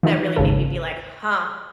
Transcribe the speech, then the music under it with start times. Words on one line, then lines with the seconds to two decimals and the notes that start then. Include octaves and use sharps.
that really made me be like, "Huh,
0.03 E3 D#4 F4
0.36 G#1 D#2 C#3 A4